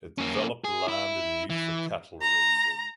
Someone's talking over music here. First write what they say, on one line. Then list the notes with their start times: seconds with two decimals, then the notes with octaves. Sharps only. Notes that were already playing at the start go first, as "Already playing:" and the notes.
The developed land is used for cattle raising.
0.18 A#3 C#4
0.64 G#4
0.88 E4
1.50 E3
2.22 A#5